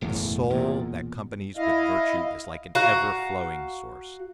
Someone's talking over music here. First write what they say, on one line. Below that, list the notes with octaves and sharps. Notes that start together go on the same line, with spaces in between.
The soul that companies with Virtue is like an ever-flowing source.
F#1 B1 E2 A2
E1 E2 A#2
E4 D#5 F5
F#4 F5 A#5